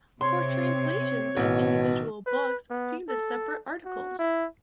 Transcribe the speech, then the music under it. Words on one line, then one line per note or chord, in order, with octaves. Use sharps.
For translations of individual books, see the separate articles.
C3 C4 C#5 C6
A1 B2 D#3
B4
B3
A4
F#4
E4